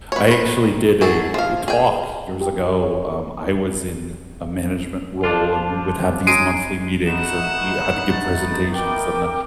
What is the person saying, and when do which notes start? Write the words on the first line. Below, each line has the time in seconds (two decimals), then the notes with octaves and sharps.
I actually did a talk years ago, um, I was in a management role and we would have these monthly meetings and we had to give presentations and
0.12 B4 C#5
0.28 D#3 B4
1.01 F#3 G#4 A4
1.34 F3 F5
1.68 G#4 G5
2.41 G4
2.69 A#4
2.82 C#5
5.24 F3 D4 F4
6.27 F#3 G#3 C7 D7 D#7
7.06 A3 B3 D#4 F#5 E7
8.12 A6
8.74 A#4 G5 D6